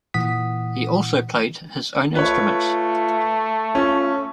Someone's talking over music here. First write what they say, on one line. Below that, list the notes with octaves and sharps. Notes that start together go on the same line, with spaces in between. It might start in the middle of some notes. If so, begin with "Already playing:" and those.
He also played his own instruments.
A#2 E3 F#5 D#6 B6
A3 F4 B4 C#5
C#4 F4